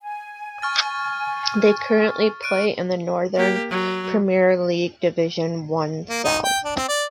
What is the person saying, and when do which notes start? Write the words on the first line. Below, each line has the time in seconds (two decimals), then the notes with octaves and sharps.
They currently play in the Northern Premier League Division One South.
0.01 G#5
0.62 C#6 F6 A6
2.43 F#6 D7 D#7
3.36 A#3 G4
3.71 F#3
6.10 A#3
6.24 D#4
6.44 G5
6.65 D4
6.76 C4
6.88 D5